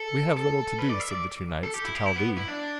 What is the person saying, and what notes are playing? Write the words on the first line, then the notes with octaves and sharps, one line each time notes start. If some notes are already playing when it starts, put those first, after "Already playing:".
We have little to do, said the two knights, to tell thee.
Already playing: A4
A4
B4
D5
E5
D5
A4
G4
E4
G4
E4
B3
E4
D4